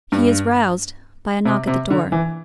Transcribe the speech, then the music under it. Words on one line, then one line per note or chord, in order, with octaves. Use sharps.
He is roused by a knock at the door.
G2
C3
C3
D3
E3